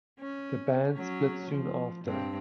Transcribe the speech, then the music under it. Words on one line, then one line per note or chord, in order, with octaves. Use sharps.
The band split soon after.
C#4
F#3 C#4
F3
G2 C4